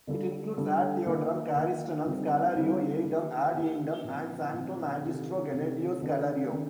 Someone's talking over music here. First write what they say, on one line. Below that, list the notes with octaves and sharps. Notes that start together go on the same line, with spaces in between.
It includes "Ad Theodorum Carystenum", "Scholario," "Eidem", "Ad eundem" and "Sancto magistro Gennadio Scholario".
D3 G3 D4 F4 A4
D3 G3 D4 F4 A4
D#3 A#3 D#4
D#3 A#3 D#4
D3 G3 C4 D#4
D3 G3 C4 D#4
D#3 A#3 D#4 G4
D#3 A#3 D#4 G4
A#2 F3 C4
A#2 F3 C4
C3 D#3 A3 D#4 G4
C3 D#3 A3 D#4 G4
D#3 A3 D4
D#3 A3 D4